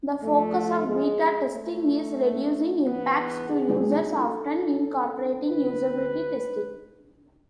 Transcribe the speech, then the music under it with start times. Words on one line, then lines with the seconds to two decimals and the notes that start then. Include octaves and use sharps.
The focus of beta testing is reducing impacts to users, often incorporating usability testing.
0.21 G#2 F3 A3
0.87 G#3
1.53 A3
2.84 G#2 E3 B3
3.49 G#4
4.14 A4
5.45 D2 D3 B4